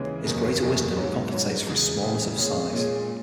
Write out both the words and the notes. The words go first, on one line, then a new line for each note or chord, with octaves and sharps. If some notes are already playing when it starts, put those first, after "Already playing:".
His greater wisdom compensates for his smallness of size.
Already playing: D#2 C#3 E3 G#3 C#4
F#1 E2 B2 A#3
F#1 E2 B2 A#3
G#2 F#3 C#4
G#2 F#3 C#4
E2 C#3 G#3
E2 C#3 G#3
A#2 G#3 C#4 G#4
A#2 G#3 C#4 G#4